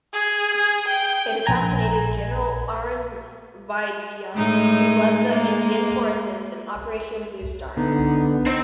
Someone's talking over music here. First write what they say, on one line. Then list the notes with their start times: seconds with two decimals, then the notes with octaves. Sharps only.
It assassinated General Arun Vaidya, who led the Indian forces in Operation Blue Star.
0.13 G#4
0.54 G#4
0.88 G5
1.46 A#1 G#5 A#5 G#6
4.35 A2 G#3 D#4
5.28 G#3 A#3
7.77 D3 B3 D#4
8.46 C4 D#4